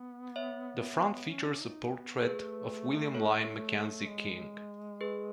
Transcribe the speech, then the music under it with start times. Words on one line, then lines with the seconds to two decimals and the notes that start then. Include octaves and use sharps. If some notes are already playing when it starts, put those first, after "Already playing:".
The front features a portrait of William Lyon Mackenzie King.
Already playing: B3
0.36 C#5 E5
1.29 C#4
1.60 D#4
1.91 B3
2.22 A3 G#4 B4
3.14 A4 C#5
4.07 G#3
5.01 G#4 B4